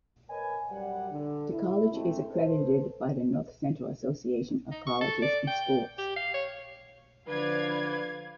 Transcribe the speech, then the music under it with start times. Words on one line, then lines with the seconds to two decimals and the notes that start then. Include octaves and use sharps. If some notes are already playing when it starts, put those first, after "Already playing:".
The college is accredited by the North Central Association of Colleges and Schools.
0.30 A#4 B4 C#5 D#5 G#5
0.70 F#2 G3 F#5
1.11 D3
1.51 E4
1.92 G#3 A3 C4
2.33 A4 B4 C5
4.72 D#4
4.87 C#6
5.01 A4
5.22 D5
5.48 G5
5.98 G4
6.16 F5
6.34 C#5
7.28 D3 F3 B4 D5 F5 G#6